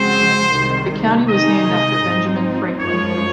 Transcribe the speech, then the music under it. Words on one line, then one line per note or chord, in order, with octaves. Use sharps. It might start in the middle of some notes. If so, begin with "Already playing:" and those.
The county was named after Benjamin Franklin.
Already playing: F2 C#3 G#3 C4 F#4 C5
C2 C3 D#3 G#3
C3 D#3 G#3 D#4 G#4 D#5
G#2 F3 C4 D#4
F#2 F3 G#3 C#5